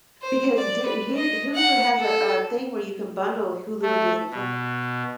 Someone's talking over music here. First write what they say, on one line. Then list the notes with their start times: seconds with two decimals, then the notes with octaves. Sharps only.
Because Di he Hulu has a a thing where you can bundle Hulu and Disney+.
0.22 C5
0.57 D5
0.86 B4
1.16 D#5
1.55 F#5
1.99 A4
3.82 A3
4.31 B2